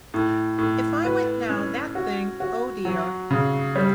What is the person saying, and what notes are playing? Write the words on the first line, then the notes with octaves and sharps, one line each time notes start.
If I went now, that thing — oh dear!
A2
A2
B4
C#4
F#4
F#4
F#3
C#3
G3